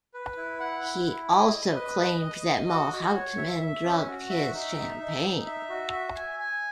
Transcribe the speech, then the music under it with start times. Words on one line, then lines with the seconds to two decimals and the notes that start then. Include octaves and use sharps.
He also claimed that Mol-Houteman drugged his champagne.
0.14 B4
0.37 E4
0.60 F#5
0.83 E4
1.06 E4
1.30 D#5
1.52 D#5
1.75 B4
1.99 D#5
2.22 D#5
2.45 D#5
2.68 F#4
2.92 F#4
3.15 C#5
3.37 E5
3.61 E5
3.84 C#4
4.07 F#4
4.30 E5
4.54 D#4
4.77 E5
5.00 D#4
5.23 D#4
5.46 E5
5.69 F#4
5.92 E5
6.15 G#5
6.39 G#5